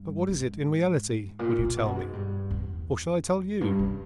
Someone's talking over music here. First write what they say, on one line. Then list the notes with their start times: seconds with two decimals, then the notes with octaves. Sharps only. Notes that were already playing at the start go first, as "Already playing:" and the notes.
But what is it, in reality, will you tell me? Or shall I tell you?
Already playing: G2
0.29 G#2
1.39 A#2
1.59 A#2
1.77 B2
1.96 G#2
2.13 G2
2.50 E2
3.61 G2
3.79 C#3